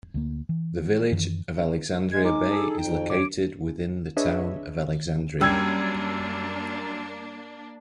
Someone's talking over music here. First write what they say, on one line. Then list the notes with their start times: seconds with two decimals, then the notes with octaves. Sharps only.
The Village of Alexandria Bay is located within the Town of Alexandria.
0.14 D2 G3 A#3
0.49 E3
1.11 F#2 D#3 E3
2.11 G#3 G#6
2.25 D#4 D6
2.50 G#4 A4
2.77 F2 G5
3.10 C#5 D6 D7
4.17 D4 G#4 B4 C#5 D#5 E5
5.41 F#2 G3 A#3 D4 E6 G#6